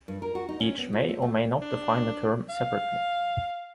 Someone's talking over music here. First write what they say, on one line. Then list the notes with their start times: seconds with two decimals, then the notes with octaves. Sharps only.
Each may or may not define the term separately.
0.08 G2
0.22 A#4
0.35 F#4
0.49 D#4
0.60 C#4
0.78 B3
0.93 F4
1.09 A3
1.22 A3
1.61 D4
2.49 F5